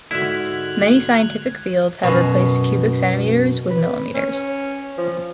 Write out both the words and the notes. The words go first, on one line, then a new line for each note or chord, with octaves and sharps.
Many scientific fields have replaced cubic centimeters with milliliters.
G#2 D3 E4 F#4 E5 F6 F#6 G#6
F#2 B2
B4
C#4
F3